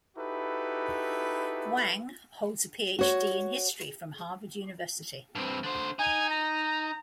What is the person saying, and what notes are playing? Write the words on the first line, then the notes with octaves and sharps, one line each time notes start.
Wang holds a Ph.D. in history from Harvard University.
D#4 E4 F#4 G4 A4 B4
F#4 C#5
G2 C4
D3 C5
D#4 G#5
A#5